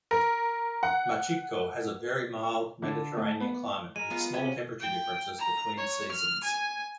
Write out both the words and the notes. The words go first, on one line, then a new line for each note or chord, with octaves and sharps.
Machico has a very mild Mediterranean climate with small temperature differences between seasons.
A#4
F#5
D3
A3
B3
G#3 A#4 D#7
B3 F4
C3 B3 C#4 G#4 E5
G5
A#5
C#5
F6
G#5